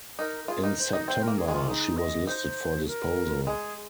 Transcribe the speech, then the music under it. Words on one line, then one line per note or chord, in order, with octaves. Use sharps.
In September she was listed for disposal.
D#4 A#4
A#4
F4 G#4
D#4 A#4
C5
D#4 D#5
C4 C5
A#3 A#4
G#4
G#3 F4
D#4
D#5
D#4 C5
A#4
G#3 G#4